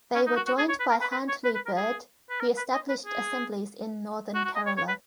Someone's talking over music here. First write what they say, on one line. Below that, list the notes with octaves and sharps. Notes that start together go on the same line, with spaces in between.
They were joined by Handley Bird, who established assemblies in Northern Kerala.
C#4
D#4
F#4
F#4
G#4
C#5
B4
A#4
B4
B4
C#5
B4
B4
A#4
G#4
B4
A#4
B4
D#5
B4
G#4
F#4
F#4
D#5
C#5
C#5
B4